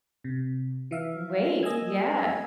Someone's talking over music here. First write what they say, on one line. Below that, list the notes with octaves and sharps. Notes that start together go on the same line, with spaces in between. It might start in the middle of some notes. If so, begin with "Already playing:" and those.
Wait, yes.
C3
E3 E5 F5
A#3 D#5 G#5 E6 G#6